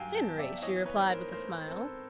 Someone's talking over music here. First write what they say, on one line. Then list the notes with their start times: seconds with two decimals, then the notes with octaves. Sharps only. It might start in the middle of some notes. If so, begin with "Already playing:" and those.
"Henry!" she replied with a smile.
Already playing: G2 D#3 F#3 F5 G5 G#5
0.15 G5 A5
0.27 B3
0.38 D5 E5
0.58 E5
0.62 E3 C#5 D#5
0.86 B4 C#5
0.97 G#2
1.09 A#4 C5
1.32 A3 A#4 C5
1.68 C4 A4